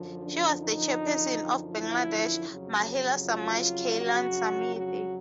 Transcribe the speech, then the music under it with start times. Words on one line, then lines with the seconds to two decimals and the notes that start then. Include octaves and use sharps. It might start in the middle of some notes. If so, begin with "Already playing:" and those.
She was the Chairperson of Bangladesh Mahila Samaj Kalyan Samiti.
Already playing: F#2 D3 F3
0.21 D4
0.59 D#4
1.72 E4
2.48 F2 C#3 F#3
3.24 F4
4.00 F#4
4.76 F#4